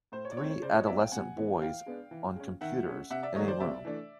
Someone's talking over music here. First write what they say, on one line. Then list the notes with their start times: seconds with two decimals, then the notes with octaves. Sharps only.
Three adolescent boys on computers in a room.
0.12 A2 C5
0.25 C#5
0.31 D5
0.37 E3 A3 C4 C#5
0.50 C#5
0.62 C#3 C5 D5
0.75 C#5 D#5
0.87 F#3 B3 D5 E5
0.99 F5 G5
1.12 C3 F#5 G#5
1.36 E3 G#3 B3
1.62 E3 F5 G5
1.86 G#3 B3 D4
2.11 E3
2.36 G#3 C#4
2.61 D#3 E5 F#5
2.86 G#3 C#4
3.10 C3 E5 F#5
3.23 D5 E5
3.35 D#3 F#3 A3 C#5 D#5
3.48 C5 D5
3.60 C3 D5 E5
3.85 E3 A3 D4